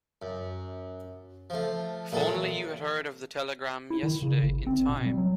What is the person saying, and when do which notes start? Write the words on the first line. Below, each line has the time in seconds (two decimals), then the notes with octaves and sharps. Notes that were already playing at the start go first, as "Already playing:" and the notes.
If only you had heard of the telegram yesterday in time!
0.22 F#2
1.50 F3 A3
2.12 A#2 E3 F#3 G#3 A4
3.90 E4
4.03 D#3
4.22 C#3
4.43 G1
4.67 C4
4.89 B2
5.06 G3
5.17 F#3